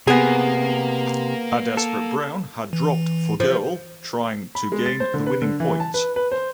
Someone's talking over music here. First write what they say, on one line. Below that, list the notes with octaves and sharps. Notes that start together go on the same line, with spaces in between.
A desperate Brown had dropped for goal trying to gain the winning points.
C3 A#3 B3 G#4
A4
E3
F3
B5
G#3
A6
C5
D3
B4
D3
E3
A5
B4
B4
C5